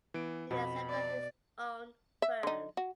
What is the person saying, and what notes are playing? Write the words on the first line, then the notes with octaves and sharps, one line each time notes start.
He then set up his own firm.
E3 B3 D7
F2 B2 B5
D5
E5
D3 D#4
F#4